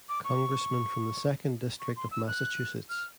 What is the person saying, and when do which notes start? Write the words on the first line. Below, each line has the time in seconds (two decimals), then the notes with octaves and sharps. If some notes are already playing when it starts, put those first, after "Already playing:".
Congressman from the Second District of Massachusetts.
0.09 D6
0.24 C#6
1.80 C#6
1.96 C6
2.11 E6
2.27 F#6
2.89 F6